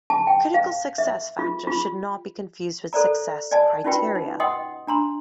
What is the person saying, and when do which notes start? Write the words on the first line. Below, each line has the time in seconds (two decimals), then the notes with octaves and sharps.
Critical success factors should not be confused with success "criteria".
0.10 A5
0.27 G5
0.54 F5
0.98 E5
1.39 F4
1.67 F4
2.93 A4 C5 D5 A#5
3.51 D5 D#5 G#5 A5
3.84 C#4 D#4 F4 F#4 B4 G5
4.15 D#4
4.40 D#5 F#5 G5 C6 D#6
4.87 D4 A#5 C6